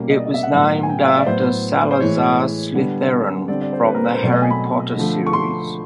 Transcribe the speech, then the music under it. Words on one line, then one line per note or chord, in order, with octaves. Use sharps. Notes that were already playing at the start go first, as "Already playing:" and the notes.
It was named after Salazar Slytherin from the "Harry Potter" series.
Already playing: B2 G3 A#3 C#4
D#5
D5
D#5
E5
F#5
A2 F#3 B3
G#5
G5
F5
E5
D5
A2 F#3 B3 C5
C5
A2 E3 G#3 C#5
D3 G3 B3
D3 G3 C4 D5
D5
C5
B4
A#4
B4
C5
B2 F#3 A3 C4 D5
D#5
G#5
B5
D3 F3 A3
C#6
C6